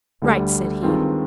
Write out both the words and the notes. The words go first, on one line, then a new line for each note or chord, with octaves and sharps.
"Write!" said he.
D2 D3 G3
G2 D#3 G#3 C4 F4